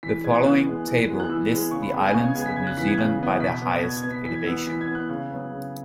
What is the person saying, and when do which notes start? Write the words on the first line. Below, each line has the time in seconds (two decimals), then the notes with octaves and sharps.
The following table lists the islands of New Zealand by their highest elevation.
0.03 E3 B6
0.24 G#3 B3 G#6
0.45 E3 F#6
0.67 G#3 B3
0.87 E3
1.08 G#3 B3
1.20 F#6
1.29 E3 E6
1.51 G#3 B3
1.71 C#3 C#6
1.82 B5
1.92 G#3 B3
2.03 G#5
2.14 C#3 C#6
2.24 G#6
2.35 G#3 B3 G#6
2.46 B6
2.56 C#3 G#6
2.67 F#6
2.77 E3 B3 B6
2.88 G#6
2.98 C#3 F#6
3.19 E3 B3
3.40 B2 B6
3.62 B3
3.83 B2 G#6
3.97 G#6
4.03 B3
4.11 B6
4.25 E3 B6
4.35 G#6
4.46 B3 E6
4.56 E6
4.67 E3 B6
4.81 G#6
4.88 B3
4.95 F#6
5.09 C#3 F#6
5.31 F#3 B3
5.51 C#3